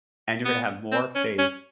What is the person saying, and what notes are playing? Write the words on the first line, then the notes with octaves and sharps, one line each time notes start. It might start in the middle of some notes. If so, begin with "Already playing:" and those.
and you're gonna have more faith
B3
C4
C#4
C#4